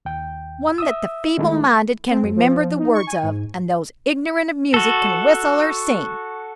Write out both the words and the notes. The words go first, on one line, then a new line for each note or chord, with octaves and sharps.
One that the feeble-minded can remember the words of and those ignorant of music can whistle or sing.
D#2 G5
E5 D#6 E6
D#3 G#3 A3 E4
C4
F#2
F3
F3
D#4
C#6
G#5
G#2
F#4 A4